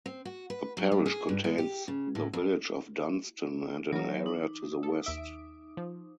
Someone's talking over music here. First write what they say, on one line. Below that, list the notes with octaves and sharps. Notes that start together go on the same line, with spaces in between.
The parish contains the village of Dunston and an area to the west.
C4
F#4
B4
F#3
G3
G#4
G2
G#3
G4
C#3
A2
F2
E3 F#3 A#4 C#5
D#4 D6 D#6
A4
D#2 E5 D7
F3